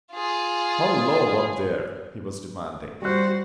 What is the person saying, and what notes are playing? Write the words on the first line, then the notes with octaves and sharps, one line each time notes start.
"Hullo, up there!" he was demanding.
F4 G#4
G3 F#4 C5 F#6